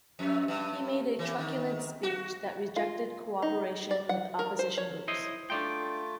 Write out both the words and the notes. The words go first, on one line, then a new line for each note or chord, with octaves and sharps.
He made a truculent speech that rejected cooperation with opposition groups.
F2
G2
E3
D#3
F#4
F4
D#4
D5
F#5
A#4
C5
C#5
E4 C5 D#5
A3 D4 F4 D5 G5